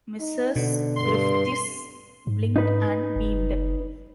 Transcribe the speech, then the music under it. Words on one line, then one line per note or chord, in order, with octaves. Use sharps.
Mrs. Griffiths blinked and beamed.
D#4
B2 D3
G2 C6
G#2
D#4 B4
F#1